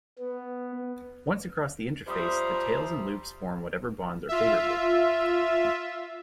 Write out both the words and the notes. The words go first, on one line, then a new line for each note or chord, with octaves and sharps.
Once across the interface, the tails and loops form whatever bonds are favorable.
B3
F3 G3 C5 E5 A#5 D#6
F4 E5